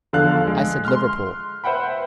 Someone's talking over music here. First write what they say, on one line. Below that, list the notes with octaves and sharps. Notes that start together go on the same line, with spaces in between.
"I said Liverpool."
E2 D3 F3 A4 F5 F#6
G#3
C6 F6
B4 C5 E5 F#5 G5 B5